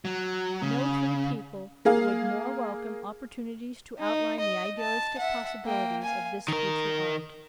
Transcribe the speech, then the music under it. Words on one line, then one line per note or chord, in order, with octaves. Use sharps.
No three people would more welcome opportunities to outline the idealistic possibilities of this future art.
F#3
C#3
A#3 G#4 F5
D#4
D#5
A5
E5 F#5
A#3 G5
F5 G#5
D#3 A#4